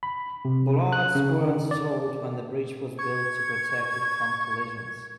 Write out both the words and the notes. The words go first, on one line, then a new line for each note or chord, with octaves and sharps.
Bollards were installed when the bridge was built to protect it from collisions.
B5
C3
F#6
C#3
D#3
D5
C#6 G#6